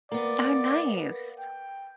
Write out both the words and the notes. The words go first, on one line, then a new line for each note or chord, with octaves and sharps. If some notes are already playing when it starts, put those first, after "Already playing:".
Oh, nice.
A#3 B3 D5
G5